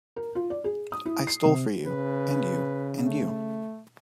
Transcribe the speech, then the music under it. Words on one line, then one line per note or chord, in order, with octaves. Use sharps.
I stole for you, and you, and you.
A#4
F4
D5
G#4
D#6
E4
C7
C3
C#3 B4
A3